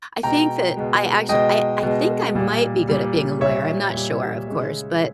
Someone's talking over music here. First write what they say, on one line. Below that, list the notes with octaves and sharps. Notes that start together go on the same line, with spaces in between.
I think that I actua I I think I might be good at being a lawyer, I'm not sure, of course, but
B2 G#3 G5 A#5
B2 G#3
B2 G#3 D#5 G5
B2 G#3
A#2 G3
A#2 G3
A#2 G3 C#5 E5
A#2 G3
C#3 G#3